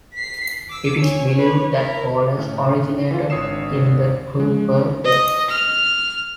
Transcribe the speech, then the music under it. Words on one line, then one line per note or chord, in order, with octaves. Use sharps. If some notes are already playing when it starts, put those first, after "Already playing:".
It is believed that Pholus originated in the Kuiper belt.
B6 C7
D6 E6
C#5 G#5
B4 C#5
E4 A#4
A2 C#4
E3 F4
G#1 D4 C#5 D#6 C7 E7
F3 G#3
D#5
F6